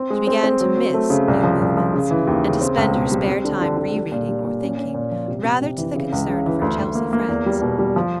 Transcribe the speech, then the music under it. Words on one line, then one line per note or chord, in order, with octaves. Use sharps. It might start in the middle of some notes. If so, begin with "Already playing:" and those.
She began to "miss" new movements, and to spend her spare time re-reading or thinking, rather to the concern of her Chelsea friends.
Already playing: C4
G#3
C4
C4
F#3
F#3
A3
C#3
C2
F3
C2
F3
C#3
E3
D#2
C#3
C4
C#2
B2
G3
C4
D3
D3
D3
G3
A#2
G3
A#2
C#4
C#4
A#2
F3
C3
C3
C3
E3
C#3
C#2
C#3
E3
D2
D2
A#3
A#3
E2
G3
B2
G3
F3